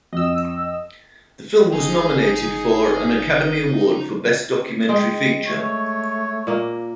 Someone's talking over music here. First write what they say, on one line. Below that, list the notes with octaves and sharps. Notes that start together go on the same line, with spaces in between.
The film was nominated for an Academy Award for Best Documentary Feature.
F2 D#5 E6
G1 D#4 G#4
G#3 G5
A3 C#5
A#2 A#3